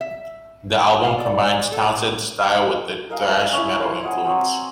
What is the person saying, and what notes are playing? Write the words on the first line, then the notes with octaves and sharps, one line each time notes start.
The album combines Townsend's style with a thrash metal influence.
E5
F5
D5
A4
A#4 D#5 F5 G#5
A#4 D#5
C#4 D4 E4
A#4 C5
D#5 F#5 G#5
F#3 C4 D#6